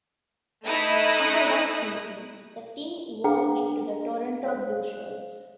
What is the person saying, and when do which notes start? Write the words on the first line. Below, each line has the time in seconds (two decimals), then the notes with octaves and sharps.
After one season, the team evolved into the Toronto Blueshirts.
0.64 A3 D#4 E4 D#6 F#6
3.24 D4 G#4 B4 F#5 G5 A#5
4.44 C5 C#5 F5